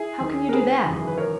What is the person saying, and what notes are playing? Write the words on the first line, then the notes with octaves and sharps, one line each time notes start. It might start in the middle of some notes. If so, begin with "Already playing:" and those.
"How can you do that?"
Already playing: E4 G#4
D#2 D#3
A#4
G#4 B4
G#1 F#2 C#3 E3
B4
A#4 C#5